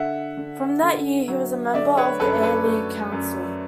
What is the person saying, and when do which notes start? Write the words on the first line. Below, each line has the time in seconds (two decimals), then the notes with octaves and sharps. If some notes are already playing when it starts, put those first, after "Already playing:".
From that year he was a member of the Air League Council.
Already playing: D3 E5 F#5
0.37 D3
0.83 D3
1.28 F#3
1.74 D3 D5 E5
1.97 B4 C#5
2.20 F#2 A4 B4
2.42 A4 B4
2.66 A3
3.12 F#2